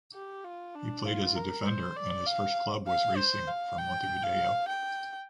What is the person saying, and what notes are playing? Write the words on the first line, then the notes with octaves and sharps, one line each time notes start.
He played as a defender and his first club was Racing from Montevideo.
G4
F4
D4
F4
A#4
C5
D5
F5
F5
C5
F5
G5
F5
G5